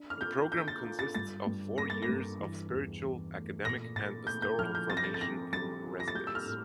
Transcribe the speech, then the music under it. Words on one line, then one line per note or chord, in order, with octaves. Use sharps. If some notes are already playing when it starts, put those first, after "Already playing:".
The program consists of four years of spiritual, academic and pastoral formation in residence.
Already playing: D4
F6
F4 G6
D4 G6
A6
F4
A6
G2 A6
G2
A#3 A#6
A6
A#6
G2
E3
E2
E3
A3
A#2 A#6
A#2 A6
A3 G6
G6
F3 F6
G6
C4 A6
A#6
A6
A6
C4 A#6
G3 A6
F4
A#6
A6
G3 G6
E6
F6
A2